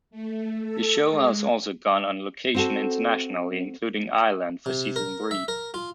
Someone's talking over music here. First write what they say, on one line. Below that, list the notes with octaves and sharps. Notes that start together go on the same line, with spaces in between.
The show has also gone on location internationally including Ireland for Season Thre.
A3
A4
G#3
C4 F#4 A4
C3
A#4
E5
A#4
F4